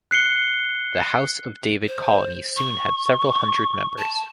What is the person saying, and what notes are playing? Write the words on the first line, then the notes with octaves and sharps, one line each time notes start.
The House of David colony soon had several hundred members.
F#6 C7 C#7 G7
C5
C#6
A5